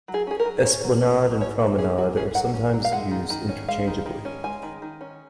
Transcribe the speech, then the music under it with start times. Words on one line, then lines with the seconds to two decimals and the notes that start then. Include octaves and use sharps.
"Esplanade" and "promenade" are sometimes used interchangeably.
0.08 F#3
0.14 G#4
0.27 C#4 G#4
0.40 A#4
0.45 F#3
0.65 C#4 C#5
0.84 F#3
1.03 C#4
1.22 F#3
1.41 C#4 C#5
1.59 F#3 B4
1.78 C#4 G#4
1.98 F#3 F#4
2.17 C#4 G#4
2.35 F#3 F#5
2.54 C#4
2.73 F#3
2.85 F5
2.92 G#3 F#5
3.11 D#3
3.30 D#3
3.49 C#4
3.68 G#3 F5
3.87 D#3
4.06 D#3
4.25 C#4
4.44 G#3 G#5
4.63 D#3
4.82 D#3
5.01 C#4